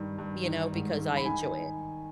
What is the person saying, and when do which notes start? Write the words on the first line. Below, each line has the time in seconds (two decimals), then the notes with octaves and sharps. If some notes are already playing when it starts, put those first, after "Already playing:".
you know, because I enjoy it.
Already playing: G2 D#3
0.18 G2
0.45 D#3
0.73 G#2
0.99 G#2
1.17 B5
1.25 D#3 G#5